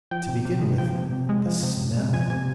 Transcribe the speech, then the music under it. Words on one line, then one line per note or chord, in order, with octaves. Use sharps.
To begin with the smell.
F3 G5
C3
C3
G#3
F3 G5
C3
C3
G#3
F3
C3
C3
G#3
F3 G#5
C3 G#5